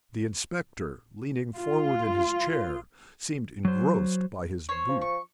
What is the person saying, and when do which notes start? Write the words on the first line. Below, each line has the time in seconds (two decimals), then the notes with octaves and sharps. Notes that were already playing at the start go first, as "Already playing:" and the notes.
The inspector, leaning forward in his chair, seemed engrossed by his boots.
1.55 F4
3.65 F#3 C5
4.69 C5 C#5
4.89 F3
5.01 C#6